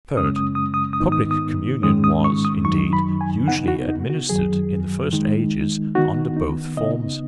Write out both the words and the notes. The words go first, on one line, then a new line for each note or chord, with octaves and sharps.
Third--Public Communion was, indeed, usually administered in the first ages under both forms.
F#2 C#3 G#3 C#4 D#6
D#6
D#6
D#6
D#6
G#2 D#3 B3 D#4
D#6
D#6
G#2 D#3 G#3 C#4 D#6
D#6
C#6
D#6
F#2 D#3 F#3 D#4 C#6
B5
G#5
C#3 B3 D#4 F#5
F#4
D#4
F#4
F#2 D#3 F#3 G#4
D#3 G#3 D#4
D#3 B3 D#4 F#4
D#4
C#3 B3 D#4 D#5